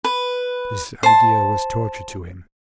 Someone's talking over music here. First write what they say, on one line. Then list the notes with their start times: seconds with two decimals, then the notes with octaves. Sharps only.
This idea was torture to him.
0.04 B4
1.03 C5 A5